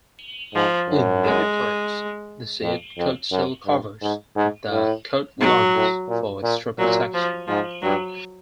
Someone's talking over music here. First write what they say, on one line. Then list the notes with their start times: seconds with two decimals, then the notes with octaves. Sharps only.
In many plants, the seed coat still covers the cotyledons for extra protection.
0.54 G#2 F3
0.90 F#2
1.24 G#3
2.62 F2
2.98 F2
3.32 F#2
3.67 G2
4.02 G#2
4.36 G#2
4.70 A2
5.40 G#2 F#3
5.75 A2
6.09 A#2
6.44 A#2
6.79 A#2 F#3
7.14 F3
7.47 G#2 F3
7.82 G2 F#3